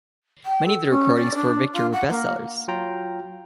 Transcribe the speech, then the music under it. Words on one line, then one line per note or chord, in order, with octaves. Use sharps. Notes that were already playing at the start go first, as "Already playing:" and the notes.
Many of their records for Victor were bestsellers.
G5
A4
C#4
D5
D4
F4
F#5
A#3
F#3 F4 G5 A#5